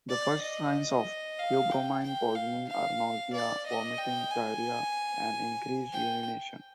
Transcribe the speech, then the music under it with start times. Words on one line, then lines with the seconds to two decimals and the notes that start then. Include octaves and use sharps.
The first signs of theobromine poisoning are nausea, vomiting, diarrhea, and increased urination.
0.09 D5
0.41 D#5
1.38 F5
1.71 G5
2.03 G5
2.35 F5
2.68 F5
3.33 D5
3.65 D#5
3.98 G5
4.30 G#5
5.92 G5